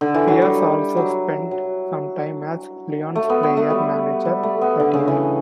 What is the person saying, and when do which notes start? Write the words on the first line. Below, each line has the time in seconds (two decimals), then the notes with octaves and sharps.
Pierce also spent some time as Leon's player-manager that year.
0.01 D3
0.14 E3
0.28 F#3
0.42 G3
0.97 F#3
1.51 F#3
3.15 A3
3.30 B3
3.43 B3
3.57 A3
3.70 G3
4.25 G3
4.43 A3
4.61 B3
4.80 D3
4.94 C#3
5.08 E3